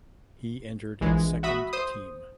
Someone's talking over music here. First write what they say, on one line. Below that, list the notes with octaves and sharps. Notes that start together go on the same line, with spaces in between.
He entered its second team.
A#1 E3 G#3
F#4 E5 B5 D#6
C5 D#6